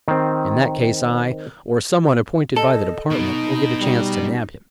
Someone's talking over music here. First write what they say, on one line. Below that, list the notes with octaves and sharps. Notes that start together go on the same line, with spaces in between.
In that case I--or someone appointed by the Department--will get a chance to nab him.
D#3 C4
A4 D#5
B2 D#4
G3